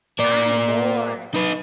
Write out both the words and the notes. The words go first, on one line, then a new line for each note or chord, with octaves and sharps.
I’m bored.
A#3 D5
D#4 B4